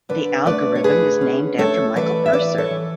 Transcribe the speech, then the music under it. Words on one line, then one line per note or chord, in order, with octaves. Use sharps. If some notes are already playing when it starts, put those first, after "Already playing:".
The algorithm is named after Michael Purser.
D3 B4 D5
A3 B4 D5
C#5
D3 G#4 B4
C#4
A3 A4 C#5
E3 B4 D5
E5
E3 B4 D5
A4 C#5
E3